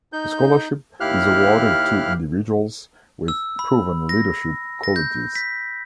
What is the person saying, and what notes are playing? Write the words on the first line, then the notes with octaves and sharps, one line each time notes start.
The scholarship is awarded to individuals with proven leadership qualities.
D#4 G6
D#2 E4 G4 F5 F6 F#6
E6
B5
A#6
A#6
G6
B6